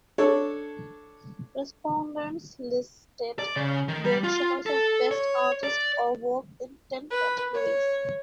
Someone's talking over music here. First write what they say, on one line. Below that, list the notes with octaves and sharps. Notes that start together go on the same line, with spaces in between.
Respondents listed their choice of best artist or work in ten categories.
D4 A4 C#5
D5
C#3
D#3
G3
F4
A4
C#5
D5
B4
C#5